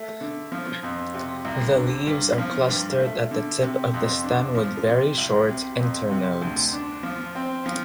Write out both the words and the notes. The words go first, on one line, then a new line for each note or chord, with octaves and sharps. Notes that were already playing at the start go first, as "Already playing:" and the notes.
The leaves are clustered at the tip of the stem with very short internodes.
Already playing: A3
D3
F3
F2
C3
C2
D3
G2
F3
G2
A3
D3
C3
F2
D4
F3
C3
C2
C3
F2
C3
D2
D4
F3
C4
F3